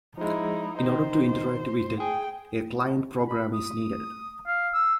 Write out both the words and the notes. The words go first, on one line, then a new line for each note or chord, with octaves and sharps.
In order to interact with it, a client program is needed.
F3 G#3 D#4 E4
D#3 D#4 C5
G#4 G5
B5
D#6
F5
E6